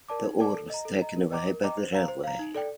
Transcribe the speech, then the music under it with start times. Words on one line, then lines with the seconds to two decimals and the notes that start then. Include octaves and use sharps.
The ore was taken away by the railway.
0.09 A#4 D5 A5 D6
0.24 D#4
0.39 A#4 D5 A5 D6
0.55 A4
0.70 D#5 A#5
0.85 A4
1.01 D#5 A#5
1.16 A#4
1.31 D#5 G5 A#5 D6
1.47 A#4
1.62 D#5 G5 A#5 D6
1.77 C5
1.93 F5 A#5
2.08 C5
2.24 F5 A#5
2.39 D#4
2.54 A4 D5 G5